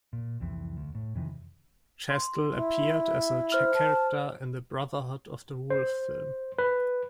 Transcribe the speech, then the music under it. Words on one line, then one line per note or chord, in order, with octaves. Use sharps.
Chastel appeared as a character in the "Brotherhood of the Wolf" film.
A#2
C2 F2 E3
D2
A2
F2 C3 D#3 E3
C6
E4
C5 F6
A5
C5
B4